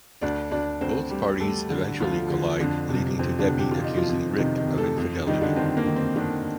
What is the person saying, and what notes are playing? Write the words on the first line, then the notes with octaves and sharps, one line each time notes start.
Both parties eventually collide leading to Debbie accusing Rick of infidelity.
D2 D4 D5
D2 D4 D5
D2 C4 C5
G3
G3 A3 A4
D3
D2 F3 F4
D3
F2 D3 D4
C3
F2 C4
D3 D4
C3
G4
F4
F2
D#4
F3 F4
F2
C3 D#3 D#4
D#3 D#4
C3
A3 A4
F2
D#3 G3 D#4
D3 D4
D#3 C4
A#3
D#3
C4
D3 D#3 D4